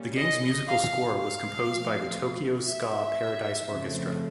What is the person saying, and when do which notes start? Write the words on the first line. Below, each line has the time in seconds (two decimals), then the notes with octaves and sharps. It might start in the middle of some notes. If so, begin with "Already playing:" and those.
The game's musical score was composed by the Tokyo Ska Paradise Orchestra.
Already playing: A#2 G3 A#3 C#4
0.17 D#5
0.67 F5
1.17 F5
1.66 A#2 F3 A3 C4
2.66 E5
3.68 F2 C#3 F3 A3 C4